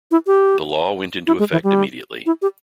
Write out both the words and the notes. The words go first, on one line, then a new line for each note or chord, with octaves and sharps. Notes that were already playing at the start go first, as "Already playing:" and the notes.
The law went into effect immediately.
E4
G4
E4
G#3
E3
G3
E4
G4